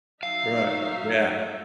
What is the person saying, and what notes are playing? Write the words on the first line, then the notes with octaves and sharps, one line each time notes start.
Right, yeah.
F#3 D#4 E5 F5